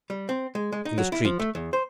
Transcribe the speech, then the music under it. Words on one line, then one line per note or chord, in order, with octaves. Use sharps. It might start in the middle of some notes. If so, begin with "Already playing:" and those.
"In the street."
G3
C4
G#3
G#3
D#4
F#3
E4
F3
A3
E2
C5